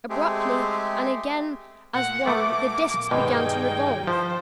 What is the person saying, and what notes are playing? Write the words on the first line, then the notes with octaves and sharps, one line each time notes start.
Abruptly, and again as one, the disks began to revolve.
G#3 A3 C4 G4 G#4
A#2 F#5
A3 B3 D6
G2 B2 D#3 G#3 G#4 G5
F3 C5